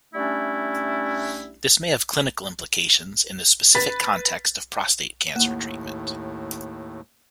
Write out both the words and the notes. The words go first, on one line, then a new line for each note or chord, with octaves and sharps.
This may have clinical implications in the specific context of prostate cancer treatment.
G3 A3 C#4 D4 E4
B4 A6 B6
D#2 A2 A#3